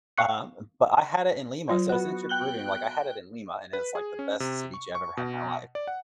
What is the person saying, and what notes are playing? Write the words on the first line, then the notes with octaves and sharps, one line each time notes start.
Um, but I had it in Lima, so since you're Peruvian, like, I had it in Lima, and it's, like, the best ceviche I've ever had in my life,
F5 C#6 F#6 C#7
F#3 F4 C5
B3 F#4
G5 F#6 G7
B4
G#4
C#4
C3
C#6
C#6
B2
D5
F#5